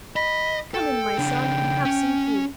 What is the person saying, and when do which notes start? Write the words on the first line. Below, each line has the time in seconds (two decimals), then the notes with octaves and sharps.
'Come in, my son, and have some food.
0.16 D#5 B5
0.74 A4 G5
1.18 C#3 D4
1.85 C#4